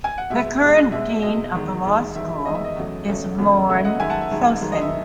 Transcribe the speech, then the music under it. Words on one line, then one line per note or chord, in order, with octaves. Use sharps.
The current dean of the law school is Lorne Sossin.
G#5
F#5
B2 G#3 E5
B2 G#3
B2 G#3 E5
B2 G#3 D#5
E2 D#3 G#3
E2 D#3 G#3
E2 D#3 G#3 E5
E2 D#3 G#3 D#5
E5
D#5
E2 C#3 F#3 A3
E2 C#3 F#3 A3
E2 C#3 F#3 A3
E2 C#3 F#3 A3 E5
D#5 F#5
F#2 D#3 G#3 E5 G#5
F#5 A5
E5
F#2 D#3 G#3
F#2 D#3 G#3
D#5
E5